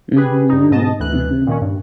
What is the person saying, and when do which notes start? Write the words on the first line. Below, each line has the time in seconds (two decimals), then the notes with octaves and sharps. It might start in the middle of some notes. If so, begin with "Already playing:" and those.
Mhm, mhm.
0.16 G4 G#4 B4
0.49 G2 D#4
0.71 G#2 D#5 A5
1.00 D2 E3 F#6
1.47 A#2 D#3 C#4
1.61 G2